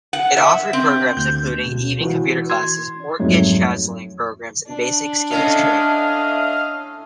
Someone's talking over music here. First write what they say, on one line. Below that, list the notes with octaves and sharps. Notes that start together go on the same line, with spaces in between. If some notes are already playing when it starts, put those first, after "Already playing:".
It offered programs including evening computer classes, mortgage counseling programs and basic skills training.
F#5
E5
C4
D2 G6
B2
E3 F#4 B4
C6 G#6
A#1 F2 G#2 F#3 A3
D4
A2 A3 C#4 D#5 F5